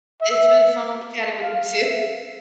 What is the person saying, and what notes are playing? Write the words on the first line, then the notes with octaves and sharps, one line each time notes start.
It's been fun chatting with you too.
E5
F5
E5